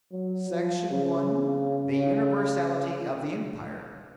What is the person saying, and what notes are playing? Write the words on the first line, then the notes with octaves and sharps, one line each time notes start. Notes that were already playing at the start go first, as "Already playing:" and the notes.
Section One: The universality of the Empire.
F#3
F3
C#3